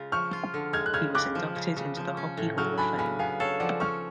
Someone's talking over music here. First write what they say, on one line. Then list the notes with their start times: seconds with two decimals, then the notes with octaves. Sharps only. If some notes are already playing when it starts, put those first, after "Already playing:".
He was inducted into the Hockey Hall of Fame.
Already playing: C#3 G#3 F4
0.12 F3 C#6 F6
0.33 F4
0.54 D3
0.73 G#3 F6 G#6
0.86 F#6
0.94 C#3 F6 G#6
1.15 C#3 D6 F#6
1.35 F3
1.56 C#3
1.77 C#3
1.97 F3
2.17 C#4
2.37 A2
2.57 F#3 C#6 F6
2.78 D4 G#5 B5
2.98 C#3 G#5 B5
3.19 B3 F5 G#5
3.40 A4 C#5 F5
3.60 F3 D5 F#5
3.80 C#4 C#6 F6